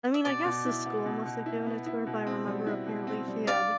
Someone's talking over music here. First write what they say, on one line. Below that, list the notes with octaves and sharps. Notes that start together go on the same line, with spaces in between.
I mean, I guess the school must have given it to her, but I remember apparently she had
E5
B2 D5
B2
E4
B3
B2
B2
E4
B3
E4
B2
C4
G3
E4
B2
C4
G3
D4 D5 F5